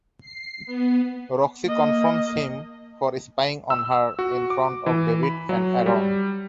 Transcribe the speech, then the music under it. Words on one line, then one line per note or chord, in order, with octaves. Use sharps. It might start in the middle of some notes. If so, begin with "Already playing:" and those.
Roxy confronts him for spying on her in front of David and Aaron.
C7
B3
A#3 D#5
E6
F#4
D6
E3
B5
F#3
G3